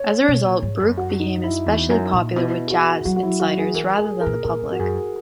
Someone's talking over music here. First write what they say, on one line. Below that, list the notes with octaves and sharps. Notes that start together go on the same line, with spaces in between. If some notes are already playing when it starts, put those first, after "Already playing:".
As a result, Burke became especially popular with jazz insiders rather than the public.
Already playing: C#5
B2
A#2
G#2
F#2
F#4
D#4
E4
E2
F#2
A#2
B2 E4
G#4
F#4
F#3 F#4
F#4
E4
F#4
G#4
E3 A#4
G#4
A#4
A#2
A#2 A#4
G#2
F#4
F#2 G#4